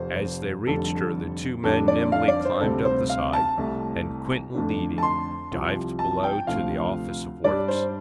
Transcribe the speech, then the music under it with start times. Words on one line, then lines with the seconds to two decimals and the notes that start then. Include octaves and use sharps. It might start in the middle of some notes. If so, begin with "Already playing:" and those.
As they reached her the two men nimbly climbed up the side and, Quinton leading, dived below to the office of works.
Already playing: F1 F2 C3 C5
0.67 F1 F2 D3 G3 A4
1.64 F2 D3 G3 D4 A4
1.88 D5
2.12 F5
2.28 D5
2.45 C5
2.60 D2 C3 G3 C4 A4
2.85 C5
3.09 F5
3.33 A5
3.58 C2 C3 A3
4.55 F2 D3 A3 D4
4.98 A5
5.03 C6
5.51 C2 C3 F3
5.99 A5
6.23 G5
6.47 D2 C3 F3 A3 F5
7.44 G2 G3 D4 D5
7.68 C5